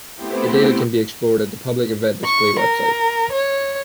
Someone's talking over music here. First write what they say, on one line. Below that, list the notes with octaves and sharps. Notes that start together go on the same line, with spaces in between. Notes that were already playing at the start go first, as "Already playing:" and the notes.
The data can be explored at the Public Event Display web site.
A3 B3 C4 E4 G4 C5
C#6
A#4
C#5